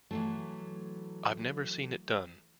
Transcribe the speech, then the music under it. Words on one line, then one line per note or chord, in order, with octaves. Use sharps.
I've never seen it done.
E3 F#3 A3